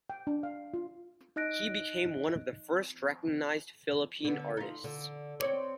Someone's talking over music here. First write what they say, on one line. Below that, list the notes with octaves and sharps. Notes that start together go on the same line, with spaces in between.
He became one of the first recognized Philippine artists.
G5
D4
F5
F4
D#4 D#5 F#6 A#6 D7
D3 B3
D#4 F4
D3
C4 C#5 D5